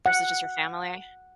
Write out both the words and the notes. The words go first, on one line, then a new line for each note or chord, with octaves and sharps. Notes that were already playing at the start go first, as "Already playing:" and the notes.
versus just your family?
F#5